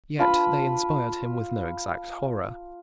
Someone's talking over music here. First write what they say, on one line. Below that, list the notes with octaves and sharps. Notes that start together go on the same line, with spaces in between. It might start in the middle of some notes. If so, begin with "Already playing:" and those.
Yet they inspired him with no exact horror.
F4 A5 B5